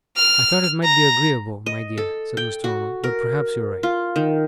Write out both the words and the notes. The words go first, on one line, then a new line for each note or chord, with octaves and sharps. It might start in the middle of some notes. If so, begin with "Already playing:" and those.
'I thought it might be agreeable, my dear,' said Mr. Omer. 'But perhaps you're right.'
F6
A#5
D#5
A4
G5
F#4
A#4
F4
D#3